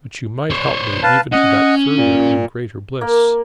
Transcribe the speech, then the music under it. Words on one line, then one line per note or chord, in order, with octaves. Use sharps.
But you might help me even to that further and greater bliss.
C5 C#5
B4 F5 A5
C#4 D#5 F#5
A#2
A#3